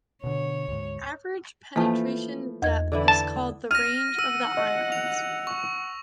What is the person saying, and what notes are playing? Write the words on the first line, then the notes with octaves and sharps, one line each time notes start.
The average penetration depth is called the range of the ions.
B2 D3 C#5
D2 G#2
E3 F3 A3 A#3 A5
E2 D#5 G#6
D3 E3 E4
A5
F6 A#6 D#7
F#5 E6 D#7
D#5
F7
C#6